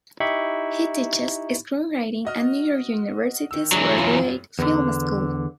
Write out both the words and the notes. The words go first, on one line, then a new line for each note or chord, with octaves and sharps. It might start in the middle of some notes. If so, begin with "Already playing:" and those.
He teaches screenwriting at New York University's Graduate Film School.
D#4 E4 G4 B5 C#6
F#4 D#5 F6
D#3 E6
E3 F#3 G#3 D4 C#6
E1 F#2 F4
E2 D3